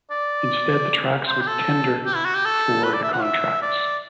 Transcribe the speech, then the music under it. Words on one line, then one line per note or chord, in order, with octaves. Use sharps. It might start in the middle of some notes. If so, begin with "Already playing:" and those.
Instead the tracks would tender for the contracts.
D5
C5
G4
A4
G4
E4
F#4
G4
A4
B4
D5
E5
F#5
E5
D5